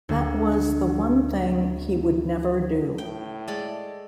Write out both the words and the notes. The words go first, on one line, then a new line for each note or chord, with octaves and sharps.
That was the one thing he would never do.
D2 G#4
A2 G5
G#3 A4 D5